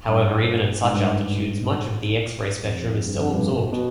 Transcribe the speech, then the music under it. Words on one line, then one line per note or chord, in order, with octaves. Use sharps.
However, even at such altitudes, much of the X-ray spectrum is still absorbed.
G2
G#2
G2
F2
G2
F2
G2
B2
B2